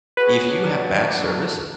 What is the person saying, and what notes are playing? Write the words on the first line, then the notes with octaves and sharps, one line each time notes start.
if you have bad service,
F#4 G#4 B4 C#5
F#3 D4